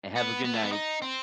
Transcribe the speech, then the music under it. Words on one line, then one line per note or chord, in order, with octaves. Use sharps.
And have a good night.
B3
B3
A3
B3
D#4
C4